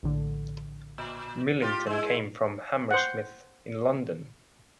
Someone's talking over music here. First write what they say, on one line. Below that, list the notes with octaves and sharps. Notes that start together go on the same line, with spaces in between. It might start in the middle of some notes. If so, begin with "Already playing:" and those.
Millington came from Hammersmith in London.
A#1 A2 D3
A#2
F4 G4
G#3 E4
C5 F#5